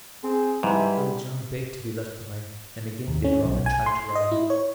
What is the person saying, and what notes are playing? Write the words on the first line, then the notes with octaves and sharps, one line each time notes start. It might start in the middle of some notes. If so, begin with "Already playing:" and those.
Little John begged to be left behind; and again did Robin try to rally him.
C4 G#4
G#2 G3 E4 B4
D#2
C#4
B1
G#5
C6
D#5
E4
C#5